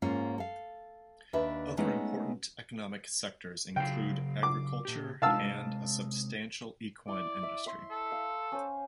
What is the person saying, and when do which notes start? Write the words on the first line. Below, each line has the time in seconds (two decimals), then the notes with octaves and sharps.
Other important economic sectors include agriculture and a substantial equine industry.
0.02 G#2 A#3 C#4 F4
0.38 A4 F5
1.33 D#2 D4 B4 E5
1.77 G#3 A3 B3 C#4 D#4
3.76 C#3 F#3 F5 G5
4.43 D6
4.85 A#2 G4
5.22 C3 G#3 F5 A5 E6
7.08 E4 D5
7.43 E5
7.66 E5 C6 C#6
7.90 A4
8.12 F5
8.52 C#4 C5